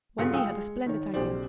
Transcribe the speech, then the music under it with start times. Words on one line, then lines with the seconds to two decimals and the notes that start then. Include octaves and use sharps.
Wendy had a splendid idea.
0.18 G2 D3 F4 G#4 C#7
0.34 F5 G5 G#5 D#6 E6
0.51 G#3
0.86 D#3 C#5
1.14 B1 C#3 G4 C5 D5